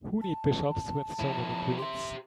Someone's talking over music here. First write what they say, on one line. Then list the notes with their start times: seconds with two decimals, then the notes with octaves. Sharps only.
Who need bishops with so many queens?
0.21 A5
1.19 F2 E4
1.78 G4 E5 C6